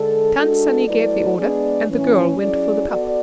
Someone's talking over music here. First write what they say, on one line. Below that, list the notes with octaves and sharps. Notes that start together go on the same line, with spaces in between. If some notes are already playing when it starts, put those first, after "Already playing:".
Tant Sannie gave the order, and the girl went for the pap.
Already playing: D3 G#3 D4 A4
G#3 D4 F#4 A4
F#3 A3 E4 B4 D5
G#3 B3 D4 G#4 D5
A2 E3 A3 C#4
F#3 C#4 E4 G#4 D5
B3 F#4 A4 D5